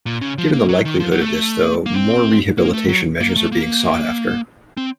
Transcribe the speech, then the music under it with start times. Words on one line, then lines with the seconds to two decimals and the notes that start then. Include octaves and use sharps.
Given the likelihood of this, though, more rehabilitation measures are being sought after.
0.06 A#2
0.21 C#3
0.38 F3
0.53 A#3
0.69 F#3
0.85 D#3
1.00 F3
1.11 F#3
1.21 A3
1.86 A#3
1.94 C4
2.58 A#3
2.73 A3
2.89 F#3
3.21 A#3
3.36 A3
3.52 A#3
4.77 C4